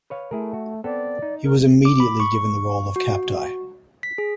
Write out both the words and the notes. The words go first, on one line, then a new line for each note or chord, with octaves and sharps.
He was immediately given the role of captai.
B4 C#5 F5
A3 E4 G#4 A#4
F#4
B3 C4 A4 D5
D#4
A#4
D6
B5
C#6
F#4
B6
G#4